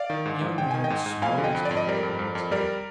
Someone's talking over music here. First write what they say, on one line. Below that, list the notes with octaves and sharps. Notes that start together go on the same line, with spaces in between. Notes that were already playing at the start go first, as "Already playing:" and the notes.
The young man smote his hand upon his head.
Already playing: D5 F5
D#3
G#2
G#2
G#2 G5
D#3 G#5
D#5 G5
G#2
G#2
F2 F5 G#5
D3
D#5 G5
F2
D5
F2
D#5
G3 A#4 D5
F2
F2
F2
G3 A#4 D5